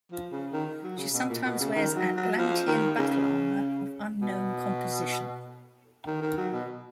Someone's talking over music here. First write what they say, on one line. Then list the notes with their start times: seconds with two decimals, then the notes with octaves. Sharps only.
She sometimes wears Atlantean battle armor of unknown composition.
0.12 F3
0.32 C#3
0.53 D#3
0.84 F#3
0.98 C#3
1.14 B2
1.29 A#2
1.45 B2
1.60 C#3
1.75 D#3
1.96 F#3
2.17 F#3
2.38 F3
2.68 D#3
2.99 C#3
4.22 B2
6.07 D#3
6.22 D#3
6.37 F#3
6.53 B2